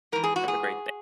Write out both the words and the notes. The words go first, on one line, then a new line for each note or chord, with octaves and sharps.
Have a great da
G#2 E3 A#4
G#4
F#4
G#4